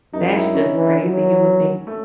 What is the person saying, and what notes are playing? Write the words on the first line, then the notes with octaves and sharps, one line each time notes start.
that's just crazy, you would think
F#2 D#4
D#4
E4
C#4
E3
F#3
A3